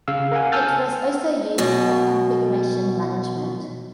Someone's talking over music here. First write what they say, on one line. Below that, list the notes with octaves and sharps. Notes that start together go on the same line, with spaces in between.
It was also used for configuration management.
C#3 F5 E6
A#4 F5 F#5 G#5
G#5 A5 E6 F6 G6 A6
F#2 B2